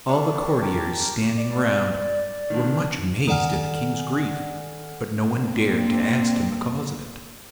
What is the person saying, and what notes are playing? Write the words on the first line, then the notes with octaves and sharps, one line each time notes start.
All the courtiers standing round were much amazed at the King's grief, but no one dared to ask him the cause of it.
G3 D4 C#6
G4 A#4 A5 D6
D5
D#3 D4
D#3 A4 D5 F#5 G#5 F6
A#3 C4 D4